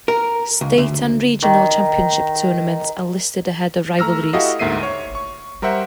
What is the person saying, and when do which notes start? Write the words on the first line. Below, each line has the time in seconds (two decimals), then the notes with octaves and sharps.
State and regional championship tournaments are listed ahead of rivalries.
0.08 A#4
0.61 C#2
0.78 D2
1.43 D#3
3.99 A3 A#5 E6 F6 A#6
4.33 E4 F#4 G4 A4 D#5 F5
4.59 D2 G#2 A#3 E5 C7 D#7
4.83 C#5
5.15 C#6
5.62 G3 A#4 C5 E5 F#5